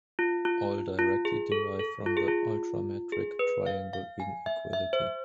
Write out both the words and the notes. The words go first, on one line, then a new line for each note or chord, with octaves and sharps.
All directly derive from the ultrametric triangle inequality.
F4
F4
F4
G#4
A4
A4
F4
G#4
F4
G#4
B4
F5
F5
G#5
E5
E5
C5